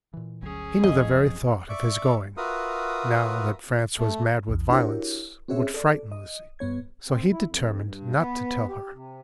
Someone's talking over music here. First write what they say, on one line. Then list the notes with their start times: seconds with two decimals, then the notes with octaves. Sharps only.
He knew the very thought of his going, now that France was mad with violence, would frighten Lucie, so he determined not to tell her.
0.14 A#2 E3
0.42 G1 D2 F#3 C#4 G#4
0.84 F#1 C2 F2 D#5
1.69 D5 E5 C#6 D6
2.37 F4 F#4 A#4 B4 E5 D#6
3.98 A3
4.48 A#1 E2
4.70 D4 E4 F#4 G4 A#4 C#5
5.48 C4 C#4 F#4 G#4 C#5 E5
5.74 A4 D5
6.12 D#5
6.59 G2 B3 C#5 G#6
7.08 C4
7.31 E4
7.47 F2
7.81 G2
8.16 B3
8.68 G4
8.93 C3